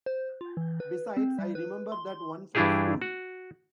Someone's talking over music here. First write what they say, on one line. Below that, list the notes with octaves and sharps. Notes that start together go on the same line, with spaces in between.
Besides, I remember that one from school.
C5
F4
E3
B4
C4
G3
B4
C6
C6
G2 E3 D4 E4 G4 G#4
F#4